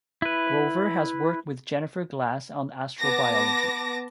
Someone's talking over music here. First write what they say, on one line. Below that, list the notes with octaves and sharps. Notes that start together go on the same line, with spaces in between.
Grover has worked with Jennifer Glass on astrobiology.
E4 B4
B3 A5 D6 A#6